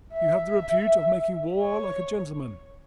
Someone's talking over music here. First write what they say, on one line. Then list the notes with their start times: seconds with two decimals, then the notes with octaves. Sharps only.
"You have the repute of making war like a gentleman."
0.13 E5
1.61 C#5